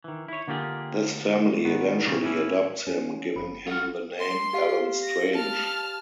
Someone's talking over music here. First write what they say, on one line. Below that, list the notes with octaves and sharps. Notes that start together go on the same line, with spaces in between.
This family eventually adopts him, giving him the name "Allen Strange".
D#3 E3
E4 C#5
D3 A#3 F4 G4 G#4
G#2 D#3 B3
A#2 C#3 F3 G3 A#3
A2 E3 C#4 E4
C#4
F#1 B5
F4 F#4 A4 F6
C6
G4 F5 C7
A#6
A5 F6